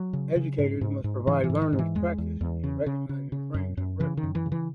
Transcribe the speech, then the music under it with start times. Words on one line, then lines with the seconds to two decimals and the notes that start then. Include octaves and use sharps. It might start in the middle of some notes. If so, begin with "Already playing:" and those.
Educators must provide learners practice in recognizing frames of reference.
Already playing: F#3
0.13 C#3
0.36 C#3
0.58 G#2
0.81 G#2
1.04 G#2
1.27 G#2 E3
1.44 E3
1.50 G#2
1.62 D#3
1.73 G#2
1.79 E3
1.95 E2 G#3
2.18 E2
2.41 E2
2.64 C#3
2.86 C#3
3.09 C#3
3.32 C#3
3.54 F#2
3.77 F#2
4.00 C#3 E3
4.17 D#3
4.23 F#2
4.35 E3
4.46 C#3
4.52 E3